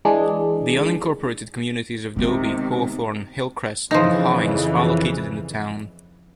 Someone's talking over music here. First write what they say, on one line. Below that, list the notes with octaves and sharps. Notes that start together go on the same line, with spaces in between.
The unincorporated communities of Dobie, Hawthorne, Hillcrest, and Hines are located in the town.
E3 G#3 D4 G#4
C3 D#3 G#3 B3
F2 C#3 E3 F3 D#4